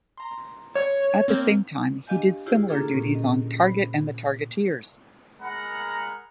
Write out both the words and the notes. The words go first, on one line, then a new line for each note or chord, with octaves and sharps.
At the same time, he did similar duties on "Target and the Targeteers".
A#5 C6
C#5
A#3 C4
D4 G4 D#5 F5 G#5 G6
E4 F4 G4 G#4 C5 D5
D3 A#3 D4 F4 G#4 A4
A#2 C#4
D#5
C5 D5 B5
G#3 A#4 F#5 A#5 B5